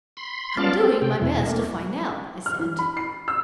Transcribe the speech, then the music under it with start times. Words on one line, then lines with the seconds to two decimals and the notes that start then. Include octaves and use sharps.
"I'm doing my best to find out," I said.
0.17 B5 C6
0.57 B3 C#4 F4 D5 F5 A5
0.79 C4
1.02 C3 G5
1.22 E2 B2 E4
1.46 A3 A#3
2.46 F6
2.59 E3
2.79 B5
2.97 C7
3.28 E6